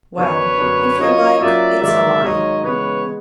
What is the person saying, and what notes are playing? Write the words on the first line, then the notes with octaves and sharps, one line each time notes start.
Well, if you like, it's a lie.
F#2 D3 F#3 B3 D4 B4 C#5
F#2 D3 F#3 B3 D4
F#3 A#3 C#4 F4 C#5 D#5
F#3 A#3 C#4 F4 D5 E5
G#2 D#3 F#3 A#3 D5 E5
G#2 D#3 F#3 A#3 C#5 D#5
C#3 E3 G#3 B3 B4 C#5
G#3 B3